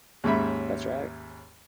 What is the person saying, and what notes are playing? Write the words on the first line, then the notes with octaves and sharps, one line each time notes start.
That's right.
D#2 G#2 C#4 C#5 E5 B5